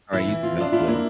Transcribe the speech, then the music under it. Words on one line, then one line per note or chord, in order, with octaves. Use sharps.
Alright, you too, I'll see you later.
E3 E4
E3
F4
D4 F4
E4 F4
A#3 E4